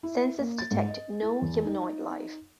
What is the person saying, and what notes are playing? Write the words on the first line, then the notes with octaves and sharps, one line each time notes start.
Sensors detect no humanoid life.
E4
A#3
A6
G#2
D#5
E4
E2
D#4